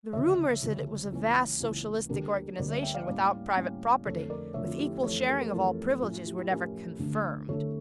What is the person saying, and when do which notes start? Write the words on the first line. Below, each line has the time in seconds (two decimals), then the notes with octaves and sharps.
The rumors that it was a vast socialistic organization, without private property, with equal sharing of all privileges, were never confirmed.
0.13 D2 C#3 F3 C#5 E5
0.63 D2 C#3 F3
1.12 C#2 C#3 E3 A#3 C#4
1.60 C#2 C#3 E3 A#3 C#4
2.09 D2 D3 G3 A#3 D4 G4 A#4
2.58 D2 D3 G3 A#3 D4 A#4 D5
2.70 C#5 E5
2.83 E5 G5
2.95 D5 F5
3.07 A2 G3 A#3 C#4 D5 F5
3.56 A2 G3 A#3 C#4
4.05 F2 D3 A3 A4 C#5
4.30 A#4 D5
4.54 F2 D3 A3 C#5 E5
4.67 F4
4.79 E4 G4
5.03 F2 E3 A3 A4 C#5
5.28 G4 A#4
5.41 A#4
5.52 F2 E3 A3 F4 A4
6.01 A2 F3 A3 C#4 F4
6.14 F4
6.26 E4 G4
6.38 E4 G4
6.50 A2 F3 A3 C#4 G4 A#4
6.99 D2 D3 A3 D4
7.48 D2 D3 A3 D4 A4 C#5